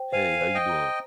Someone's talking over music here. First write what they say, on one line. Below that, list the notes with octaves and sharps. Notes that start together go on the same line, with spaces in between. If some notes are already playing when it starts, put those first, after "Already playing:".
Hey, how you doing?
Already playing: C5 G5
C5 F5 G#5
C5
D#5 G5
A#5